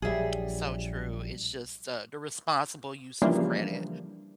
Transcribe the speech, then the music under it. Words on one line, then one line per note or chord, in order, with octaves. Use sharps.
So true, it's just, uh, the responsible use of credit,
A#1 F#3 G3 G#4 E5
C#3 E3 F3 G3 A#3 D4